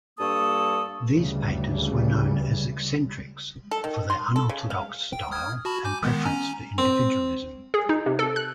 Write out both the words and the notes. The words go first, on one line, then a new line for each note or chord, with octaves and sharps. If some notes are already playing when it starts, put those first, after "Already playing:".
These painters were known as "eccentrics" for their unorthodox style and preference for individualism.
G2 A#3 A4 C#6 D#6
D2 C#3 E3 G3
A4
D#3
C6
A4
C#3
F5
G5
D#6 F6 G#6
F#4 A5 B5
G#5 D6 G6
D#3 G#3 B3
C#4 G#5 A#5
C4
G#4
D#4
C3
A4
F#6